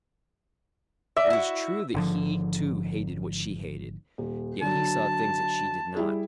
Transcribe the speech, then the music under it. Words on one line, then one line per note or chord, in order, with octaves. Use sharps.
It was true that he too hated what she hated, yet he saw things that she did not....
D5 E5
E4 F#4
G#1 D3 F3
D#1
D3 F#3 A5
G3 E4 G#4